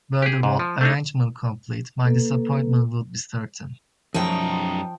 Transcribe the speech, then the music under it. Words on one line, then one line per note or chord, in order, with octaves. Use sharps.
Were the whole arrangement complete, my disappointment would be certain.
G4 G#4
G#2
F3
A3 D4 D#4
A#3 A4 B4
F#2 F3 D#4 G5